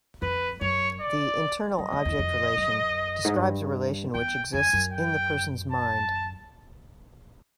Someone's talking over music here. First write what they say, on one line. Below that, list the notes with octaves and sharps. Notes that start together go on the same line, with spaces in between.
The internal object relation describes a relation which exists in the person's mind.
F2 B4
F#2 C#5
D5
F#2 D#5
F2
E2
F2
F#2
G#2
G2
E2 G5
F2 G#5
F#2
G5
A5